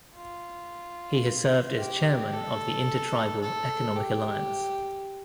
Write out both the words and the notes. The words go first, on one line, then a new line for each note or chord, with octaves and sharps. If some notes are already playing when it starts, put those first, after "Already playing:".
He has served as Chairman of the Inter Tribal Economic Alliance.
F4
G4
A4
A4
G4